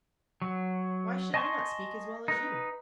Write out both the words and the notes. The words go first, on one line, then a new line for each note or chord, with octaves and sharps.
'Why should I not speak as well as you?
F#3
D#5 G#5 A5 C6 C#6
D#4 B4